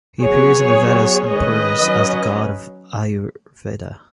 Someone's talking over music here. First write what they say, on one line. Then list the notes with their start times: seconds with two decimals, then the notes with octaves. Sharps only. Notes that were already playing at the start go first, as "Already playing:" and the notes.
He appears in the "Vedas" and "Puranas" as the the god of Ayurveda.
0.22 F#3 B3 G#4 C#5
0.76 F#3 B3
1.30 D#3 G#3 C#4 B4 D#5
1.83 F#3 C#4